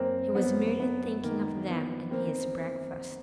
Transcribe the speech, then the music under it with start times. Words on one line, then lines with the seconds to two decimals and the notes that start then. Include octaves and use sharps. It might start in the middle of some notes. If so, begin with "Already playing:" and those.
He was merely thinking of them and his breakfast.
Already playing: F#2 A#3 C4
0.35 F#2 B3
0.79 F#2 B3
1.24 D#3 A#3
1.67 F3 B3
2.11 F3 A#3 C4